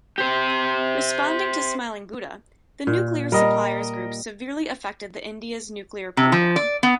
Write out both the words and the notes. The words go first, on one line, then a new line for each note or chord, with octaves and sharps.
Responding to Smiling Buddha, the Nuclear Suppliers Group severely affected the India's nuclear program.
G4 C5
A#2
G3 A#4 D#5
C3
F3
D5
B3